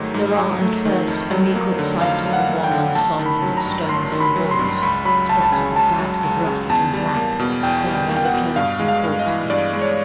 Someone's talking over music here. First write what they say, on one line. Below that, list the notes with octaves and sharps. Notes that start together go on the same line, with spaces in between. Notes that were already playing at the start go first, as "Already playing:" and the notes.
Laurent at first only caught sight of the wan ensemble of stones and walls, spotted with dabs of russet and black formed by the clothes and corpses.
Already playing: G#2 D#3 F#3 A3
G#2
F#3
A3
D#3
F2
F#3
A#3
D3
F2 F5
F#3
F#5
A#3
G5
D3
A1 A5
D#3
B5
F#3
A#5
G2
A1 C6
D#3
B5
F#3
C6
G2
C#2 B5
F#3 B5
C#2 A5
A5
C#3 G#5
C#2 A5
F#3
C#2
C#3
E2 A5
G3
A#3
B2
E2 G5
G3
G5
A#3
G5
F#5
B2
G2 F5
G#3
F5
G2
D#5
E3
G2 D5
G#3
C#5